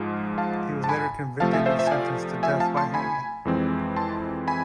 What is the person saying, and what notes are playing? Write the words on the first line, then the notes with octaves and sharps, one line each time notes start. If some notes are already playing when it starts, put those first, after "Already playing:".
He was later convicted and sentenced to death by hanging.
Already playing: G#2 F3 G#3
F5 A5
A5
G#5 B5
C3 F3 A3 F5 A5
E5 G#5
C5 E5
C5 E5
G#5
D5 F5
E5 G#5
F5 A5
A5 C6
G#5 B5
F2 E3 G#3 C4
A5 C6
G#5 B5